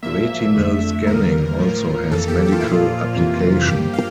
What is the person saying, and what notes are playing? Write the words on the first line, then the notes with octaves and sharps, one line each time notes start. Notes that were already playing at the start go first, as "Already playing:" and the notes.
Retinal scanning also has medical application.
A#2 F3 A#3 E5
F2 D3 A3
E2 D3 G3 A#3 A#4
A2 F3 A#3
F2 E3 A#3 A4
G4
G4
F4
E4
A#2 F3 A#3 F4
F2 C3 E3 A#3
G2 F3 A#3 G4
F5